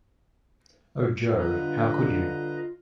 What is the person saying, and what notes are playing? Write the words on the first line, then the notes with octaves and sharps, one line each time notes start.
O Jo, how could you?
G2 D3 F4 B4 D#5 A#5